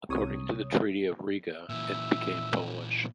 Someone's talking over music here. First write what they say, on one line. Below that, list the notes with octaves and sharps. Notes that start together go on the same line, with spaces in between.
According to the Treaty of Riga, it became Polish.
C2 C#5 D#6
A#2 E3 E5